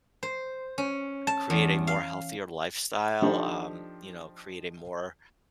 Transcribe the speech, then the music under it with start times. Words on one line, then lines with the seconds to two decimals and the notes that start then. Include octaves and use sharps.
create a more healthier lifestyle, um, you know, create a more
0.23 C5
0.78 C#4
1.27 A5
1.50 E2
1.87 F5
3.22 F3 D4 D#4 G4 A4 C5